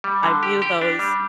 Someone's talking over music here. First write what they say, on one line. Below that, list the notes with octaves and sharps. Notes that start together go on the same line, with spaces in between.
I view those,
G3
D3
G4
G4
D4
G3